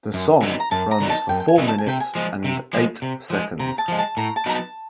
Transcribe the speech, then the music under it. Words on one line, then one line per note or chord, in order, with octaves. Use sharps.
The song runs for four minutes and eight seconds.
F#2
D3 F#3 B3 D#4
A#5
F#2 A5
A#5
D3 F#3 B3 D#4
A5
F#2 G5
G5
G#5
D3 F#3 B3 D#4
A5
G#5
C3 G5
G#5
F3 G#3
C3
F3 G#3
C3
F3 G#3
C3 A#5
A5
F3 G#3
A5
A2 A#5
A5
F#3 B3 D#4 F#4 A#5
A5